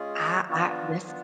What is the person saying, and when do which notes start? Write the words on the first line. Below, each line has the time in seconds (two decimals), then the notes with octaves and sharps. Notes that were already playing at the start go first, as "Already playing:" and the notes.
I I this
Already playing: G#3 C#4 F4 G#4
0.49 B3 D4 F4
1.07 B3 D4 F4